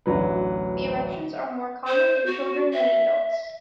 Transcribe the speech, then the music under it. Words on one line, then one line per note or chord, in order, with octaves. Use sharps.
The eruptions are more common in children than in adults.
A1 D2 F#3 B4
C5
F#4
E5